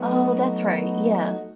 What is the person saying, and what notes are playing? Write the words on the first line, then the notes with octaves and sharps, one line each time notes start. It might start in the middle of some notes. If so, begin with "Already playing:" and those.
Oh, that's right. Yes.
Already playing: F#3 A3 B3 D#4 F#4
B3